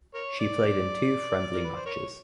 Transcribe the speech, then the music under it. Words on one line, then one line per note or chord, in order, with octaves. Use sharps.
She played in two friendly matches.
A#4 C#5
D5
A#4
B4
C5
A#4 C#5